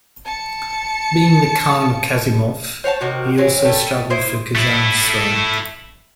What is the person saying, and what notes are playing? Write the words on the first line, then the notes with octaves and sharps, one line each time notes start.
Being the khan of Kasimov, he also struggled for Kazan's throne.
A5 C#7
C5 C#5 G5 A5
C3 D#3 F#4
E3 F#3 C4 C#4
G3 A3 A4
E4 C5 D#5
A3 E4